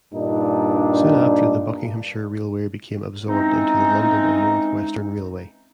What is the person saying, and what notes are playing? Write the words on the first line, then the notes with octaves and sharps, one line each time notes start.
Soon after the Buckinghamshire Railway became absorbed into the London and North Western Railway.
G2 A#2 D4 D#4
E3 G#3 C4 C#4 D#4